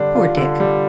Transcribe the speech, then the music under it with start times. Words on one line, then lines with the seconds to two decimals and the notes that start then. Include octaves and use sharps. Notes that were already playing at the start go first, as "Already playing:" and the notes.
Poor Dick!
Already playing: D3 G3 D4
0.15 F4
0.37 D3
0.60 G3